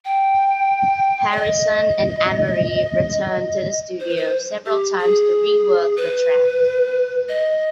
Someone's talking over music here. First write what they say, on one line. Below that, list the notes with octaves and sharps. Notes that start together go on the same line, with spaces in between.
Harrison and Amerie returned to the studio several times to rework the track.
G5
D5
D#5
C5
B4
C5
G4
G#4
B4
D#5